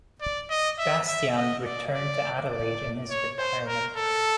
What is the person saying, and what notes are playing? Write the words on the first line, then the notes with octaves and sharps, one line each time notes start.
Bastyan returned to Adelaide in his retirement.
D5
D#5
E5
E5
D#5
D5
D5
D5
C#5
C5
A#4
A4